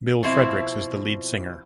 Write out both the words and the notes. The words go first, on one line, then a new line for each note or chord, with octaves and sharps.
Bill Fredericks is the lead singer.
B2 F3 C4 E4